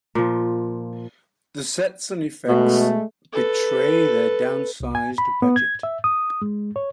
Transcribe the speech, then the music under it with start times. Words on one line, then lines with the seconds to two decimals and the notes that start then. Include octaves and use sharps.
The sets and effects betray their downsized budget.
0.15 A#2 F3
2.48 B2 G#3 A3
3.33 A4 B4
4.80 C2
4.95 G#5
5.18 B5
5.42 B3
5.56 G#6
5.83 E5
6.04 D#6
6.42 G#3
6.76 C#5